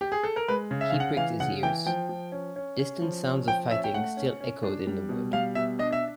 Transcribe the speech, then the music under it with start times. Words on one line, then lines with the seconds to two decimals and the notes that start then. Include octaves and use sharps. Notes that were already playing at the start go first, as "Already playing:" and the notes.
He pricked his ears; distant sounds of fighting still echoed in the wood.
0.01 G4
0.12 G#4
0.23 A4
0.36 A#4
0.48 G#3 B4
0.71 C#3
0.81 E5
0.90 C#3 F5
1.00 F#5
1.17 E3 F5
1.40 C#3 F#5
1.63 E3 G5
1.86 F3 G5
2.09 F3
2.32 C#4
2.56 C#4
2.79 C#4
3.02 F3
3.25 C#4
3.48 F3 G5
3.71 C#4 E5
3.84 G5
3.94 A3 F#5
4.17 C#4
4.41 C#4
4.63 D4
4.87 G3
5.09 B2
5.33 G3 F5
5.55 B2 E5
5.79 D4 D#5
5.93 E5